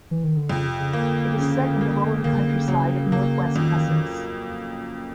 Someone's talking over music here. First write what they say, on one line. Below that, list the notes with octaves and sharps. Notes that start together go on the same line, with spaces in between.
It is set in the rolling countryside of north west Essex.
E3
D#3
D3
F2 C#3
C3
C#3
D3 A#3
C#3
A#3
D3 A#3
C#3
D3
C#3 F#3
C#3 A#3
D3
F2 D#3
D#3